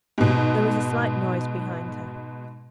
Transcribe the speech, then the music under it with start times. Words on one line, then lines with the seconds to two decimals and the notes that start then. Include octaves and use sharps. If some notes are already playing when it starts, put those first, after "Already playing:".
There was a slight noise behind her.
0.18 G#2 B2